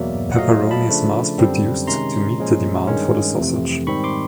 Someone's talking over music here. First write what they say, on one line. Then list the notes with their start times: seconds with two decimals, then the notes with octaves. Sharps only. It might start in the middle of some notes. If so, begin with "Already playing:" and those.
Pepperoni is mass-produced to meet the demand for the sausage.
Already playing: E2 B2 F#3 A#3 D5 E5
0.32 F#5
0.38 A#2 F#3 A3 D#5 F5
0.71 A5 B5
0.88 C#3 F3 A3 D4
1.38 F#2 D3 G3 C4
1.87 C3 D#3 G#3 C#4 A#5 C6
2.38 A#2 F3 G#3 C#4
2.87 G2 D#3 G#3 C#4
3.37 F2 C3 E3 A3
3.87 G#2 D#3 G3 C4 B5 C#6
4.04 C6 D6